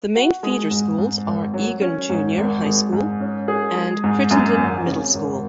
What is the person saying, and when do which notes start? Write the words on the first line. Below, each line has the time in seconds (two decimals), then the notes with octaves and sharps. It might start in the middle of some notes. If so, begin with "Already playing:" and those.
The main feeder schools are Egan Junior High School and Crittenden Middle School.
0.15 F#4
0.43 G#3
0.71 G#2
0.98 G#2
1.27 G#1
1.54 F#3
1.82 C#4
2.10 G#2
2.37 G#1
2.65 G#3
2.92 G#2
3.20 C#4
3.48 G#4
3.75 G#3
4.04 G#2
4.31 F#2
4.59 G#1
4.87 C#3
5.14 G#1